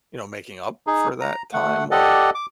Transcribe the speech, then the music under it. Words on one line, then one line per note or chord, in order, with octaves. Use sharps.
you know, making up for that time where
D#4 G#4
A#5
A3 F#5
G4 A4 D5 D#5 F#5
D6